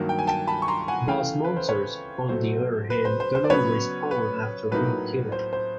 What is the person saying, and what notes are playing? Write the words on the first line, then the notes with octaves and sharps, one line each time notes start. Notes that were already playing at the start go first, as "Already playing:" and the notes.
Boss monsters, on the other hand, do not respawn after being killed.
Already playing: G2 D#3 F#3 A#3
G5
G#5
G5 A5
A5 B5
C#6
A#5 C6
F#5 G#5
C#3 E3 A3 F5 G5
B4
C5
B4 C#5
B2 F#3 A3 C5
B4
C5
C5
C5
D5
C#3 F#3 B3 B4 C#5
B4
A2 F#3 A#3 D#4 B4
C5
C5